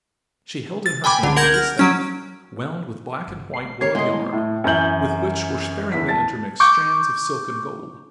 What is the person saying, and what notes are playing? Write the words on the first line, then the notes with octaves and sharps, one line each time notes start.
She held in her hand a distaff, wound with black and white woollen yarn, with which were sparingly intermixed strands of silk and gold.
A6
G5 G#5 B5 D6
C#2 D3
A#4 F#5 G6 G#6 A#6
F6
F#3 C#4 D7
G1
C7
D#3 G4 A#4 C#5 G#6 C7
G#3 B3 E4 C#5 D#5 C6
A2
F#2 E3 E5 G6 F#7
E2 B6
A5 A6
C#6 D6 G6